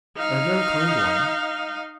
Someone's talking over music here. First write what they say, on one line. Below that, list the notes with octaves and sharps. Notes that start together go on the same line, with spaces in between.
I have never claimed one.
D#4 F5